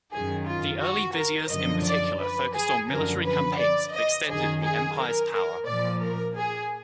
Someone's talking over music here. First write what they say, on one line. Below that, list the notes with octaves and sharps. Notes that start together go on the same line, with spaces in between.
The early viziers in particular focused on military campaigns that extended the Empire's power.
F#2 D#3 G#4
F4
F#4
A#4
F#2 D3 F3 D#5
D5
B4
G#4
F#2 D3 F3 A#4
B4
D5
D#5
F#2 D#3 G#4
G#4
A#4
A#4
A#2 F3 D5
A#4
G#4